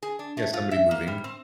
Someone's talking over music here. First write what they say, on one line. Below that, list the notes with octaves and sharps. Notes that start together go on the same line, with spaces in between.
Yeah, somebody moving.
G#4
D4
A3
F4
E5
A#3
G3
C4